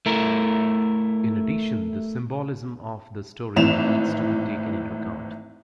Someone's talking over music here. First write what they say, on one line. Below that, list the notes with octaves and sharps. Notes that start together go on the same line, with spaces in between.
In addition the symbolism of the story needs to be taken into account.
A3 E4 A#4
G#1 A2 E3 E7 F7